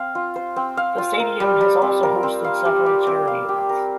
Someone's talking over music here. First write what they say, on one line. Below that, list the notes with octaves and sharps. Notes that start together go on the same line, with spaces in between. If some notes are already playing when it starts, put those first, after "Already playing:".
The stadium has also hosted several charity events.
Already playing: C4 F5
F4
C5
C4
F5
F4
A#4
G3
G3
C4
A#4
C4
F5
G4
D5
C4
F5
G4
A#4